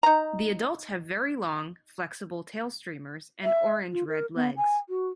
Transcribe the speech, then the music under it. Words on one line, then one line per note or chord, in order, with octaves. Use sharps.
The adults have very long, flexible tail streamers and orange-red legs.
D#4 A#5
E5
F4
A#4
B3
G#5
F#4